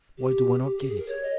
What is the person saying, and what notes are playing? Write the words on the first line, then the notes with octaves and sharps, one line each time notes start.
"Why do I not get it?"
G4
G#4
G4
G#4
A#4
C#5
D#5